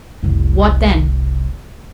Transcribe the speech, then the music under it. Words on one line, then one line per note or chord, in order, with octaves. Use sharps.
"What then?"
F1 C2